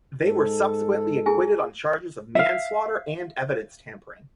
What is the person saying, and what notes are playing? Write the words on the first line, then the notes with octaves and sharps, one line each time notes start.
They were subsequently acquitted on charges of manslaughter and evidence tampering.
G#2 G#3 A4
E4 G#4 G#5
E5 F5